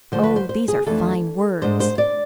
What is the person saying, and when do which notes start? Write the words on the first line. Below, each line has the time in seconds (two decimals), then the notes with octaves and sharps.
"Oh, these are fine words."
0.12 D2 D3 F3 A3 C5
0.24 B4
0.36 C5
0.49 C5
0.68 G#4
0.86 F2 E3 A3 D4 A4
1.61 G#2 G#3 D4 C5
1.80 C5
1.98 D5